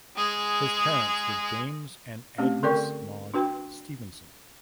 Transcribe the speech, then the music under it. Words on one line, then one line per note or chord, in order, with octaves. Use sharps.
His parents were James and Agnes Maud Stephenson.
G#3 G#4
A3 C4 C#4 G4
D3 A4 A#4 D5 G5 C#6
D4 F#4 B4 G5